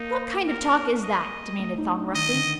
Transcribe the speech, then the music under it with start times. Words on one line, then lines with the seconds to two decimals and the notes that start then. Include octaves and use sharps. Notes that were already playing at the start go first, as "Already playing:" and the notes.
"What kind of talk is that?" demanded Thong roughly.
Already playing: A#3 D#4
0.48 A#4
1.04 D#5
1.60 A3
1.78 D#4
1.97 D4
2.15 D#3 D#5
2.34 D3